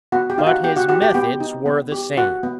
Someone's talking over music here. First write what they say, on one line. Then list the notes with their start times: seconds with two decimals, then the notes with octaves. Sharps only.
But his methods were the same.
0.12 B3 F#4 F#5
0.30 G4 G5
0.38 D#4 F5
0.47 F#4 F#5
0.63 B3 G4 G5
0.77 F#4 F#5
0.89 F#4 G4 F#5
1.02 G4 G5
1.14 B3 G4 G5
1.40 D#4
1.66 B3
1.92 G4
2.17 F#4 F#5
2.43 B3